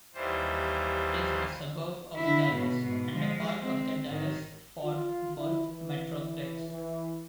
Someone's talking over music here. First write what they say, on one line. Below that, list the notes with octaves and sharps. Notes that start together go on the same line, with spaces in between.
It is a suburb of Dallas and a part of the Dallas-Fort Worth Metroplex.
D#2 E3 G3 C5
D3 E4
G#2 B2
G#2 B2
F3 G#3
G#3 C4
G#2 D#3
F4
E4
E3
E3